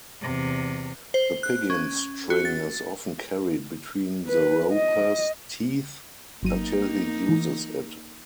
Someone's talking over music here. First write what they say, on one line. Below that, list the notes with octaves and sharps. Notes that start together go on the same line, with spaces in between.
The piggin' string is often carried between the roper's teeth until he uses it.
E2 C3
C5
F#6
C#4
F#4
A6
B4
D#5
G1 F#3 A#3 D#4 D#7
E3